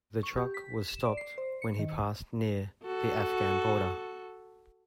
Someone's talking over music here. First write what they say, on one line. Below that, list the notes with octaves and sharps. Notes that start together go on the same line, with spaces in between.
The truck was stopped when he passed near the Afghan border.
C#6
G4
B6
E7
D5
C7
C5
C#7
D#3
F#4 A4